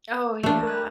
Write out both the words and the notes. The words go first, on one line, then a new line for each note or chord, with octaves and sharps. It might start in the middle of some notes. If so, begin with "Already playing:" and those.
Oh, yeah.
E3 A3 A#3 D4 G4
A#4 F#6